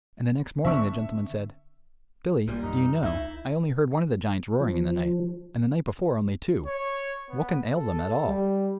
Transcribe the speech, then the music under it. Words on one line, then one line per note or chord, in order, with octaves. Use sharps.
And the next morning the gentleman said, "Billy, do you know, I only heard one of the giants roaring in the night, and the night before only two. What can ail them, at all?"
D3 C4 D4 E5 C#6 E6
A#1 A#2 G3
F#2 D#4
C#2 D#4 E4 E5
F3
C#5
B3
A4
G3